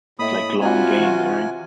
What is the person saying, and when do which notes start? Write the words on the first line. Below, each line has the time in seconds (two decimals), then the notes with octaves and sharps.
like, long games, right?
0.19 A2 A#3 D#5 E5 B5 D#6
0.61 C3 C4 F4 F#4 D5 G#5
1.00 E3